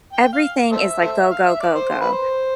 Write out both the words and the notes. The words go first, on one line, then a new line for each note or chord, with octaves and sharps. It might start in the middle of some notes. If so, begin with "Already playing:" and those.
Everything is, like, go, go, go, go.
G5
F5
A4 C5 E5
A4 C5 E5
F5
E5
D5
C5
C5
B4
C5